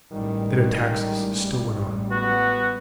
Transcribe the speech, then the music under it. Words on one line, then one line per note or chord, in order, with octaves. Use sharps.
The bitter taxes still went on.
A1 D#3 G3 G#3
B3 F#4